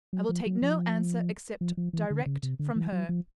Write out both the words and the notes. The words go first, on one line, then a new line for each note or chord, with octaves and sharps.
I will take no answer except direct from her.
F#3
F3
F#3
F3
F3
F3
E3
D3
C#3
C3
D3
E3
F#3
F3